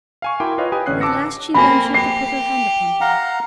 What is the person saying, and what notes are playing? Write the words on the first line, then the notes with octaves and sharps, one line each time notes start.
At last she ventured to put her hand upon him.
F5 G#5 C#6
E4 F#4 A#4 G5 C6 D6
F4 B4 C#5 D#5 F5
G4 B4 G#5 D#6
A1 D3 C#4 F#6 C7
A5 D6 E6 A#6 C#7
A#3 C4 G#5 B5
G4 C7
F5 F#5 A#5